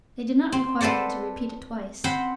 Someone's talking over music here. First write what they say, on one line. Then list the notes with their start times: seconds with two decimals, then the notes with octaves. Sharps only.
They did not require him to repeat it twice.
0.52 C4
0.81 A4 B4 C5 D5 F#5
2.04 C4 C5 F#5 B5